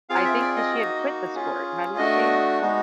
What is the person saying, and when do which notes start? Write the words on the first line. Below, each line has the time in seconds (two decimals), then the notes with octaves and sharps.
I think 'cause she had quit the sport, hadn't she?
0.09 C4 F4 G#4 F5
0.25 E5
0.41 D5
0.56 D#5
0.72 A#3 D#4 F#4
1.34 C#4 F4 G#4
1.97 A3 D4 F#4 D#5
2.60 G#3 B3 D#4 F#4